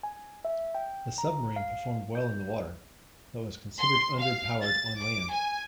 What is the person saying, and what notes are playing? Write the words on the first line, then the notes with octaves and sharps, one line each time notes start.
The submarine performed well in the water, but was considered underpowered on land.
G#5
E5
G5
A#5
F5
G6
C6
F5
A6
D6
G#5